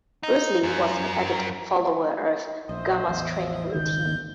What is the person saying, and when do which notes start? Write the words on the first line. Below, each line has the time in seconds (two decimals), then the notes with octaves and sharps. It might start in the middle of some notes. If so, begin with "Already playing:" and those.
Bruce Lee was an avid follower of Gama's training routine.
0.23 D#4
0.63 F#2
2.69 A#1 C5 D#5 E5
3.08 A1 E2
3.74 G#1 C#2 D#3 G6